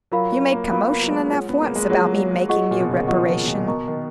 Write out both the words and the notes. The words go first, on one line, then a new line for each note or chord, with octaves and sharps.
"You made commotion enough once about me making you reparation."
F#3 F4 A#4 F5 B5
F#3
A#3
B3 F4 A#4 F5 B5
A#3
F#3
G#3
F4 G#4 C#5 F#5
B3
A#3
G#3
F#3 F4 G#4 C#5 F#5
F4 G#4 D#5 F#5 C#6
A#2
B2
C#3
D#3
F3 F4 G#4 D#5 F#5 C#6
D#3
B2
A#2
B2 F#4 A#4 D#5 A#5 C#6
D#3